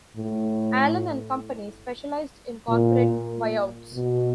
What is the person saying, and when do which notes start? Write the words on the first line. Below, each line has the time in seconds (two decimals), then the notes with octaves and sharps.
Allen and Company specialized in corporate buyouts.
0.16 A2
2.69 A#2
3.94 B2